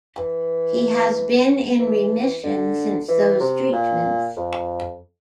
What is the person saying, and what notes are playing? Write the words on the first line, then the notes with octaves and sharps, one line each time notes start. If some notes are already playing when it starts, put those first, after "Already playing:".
He has been in remission since those treatments.
E3
E3
D3
E3
C3
A#2
F2